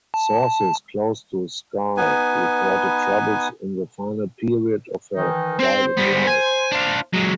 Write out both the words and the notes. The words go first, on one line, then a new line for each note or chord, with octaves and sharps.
Sources close to Skye reported troubles in the final period of her private life.
A5
B3 D#4 B4 G#5
D#3 E3 D#4
C4 C5 G5
G2 B3
G#5
D4 F4
F#3 G#3